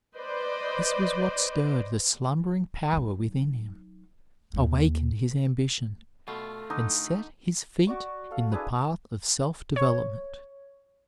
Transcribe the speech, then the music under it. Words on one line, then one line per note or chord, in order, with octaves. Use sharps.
This was what stirred the slumbering power within him, awakened his ambition, and set his feet in the path of self-development.
B4 C5 D5 D#5
F#3 D#4
D#2 A#3
B2 A3 F4 A4
D3 D#4
F#4 D5 C#6
A4 F5
D4 E4 G#4 B4
C#5